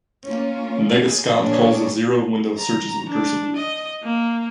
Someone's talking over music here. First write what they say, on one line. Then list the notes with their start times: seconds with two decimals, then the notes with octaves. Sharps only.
NegaScout calls the zero-window searches recursively.
0.25 A#3 C#4 F4
1.04 G#4
1.39 A#2 G3 A#3 D4 G#4 C#5
2.59 A#5
3.09 D4
3.56 D#5
4.03 A#3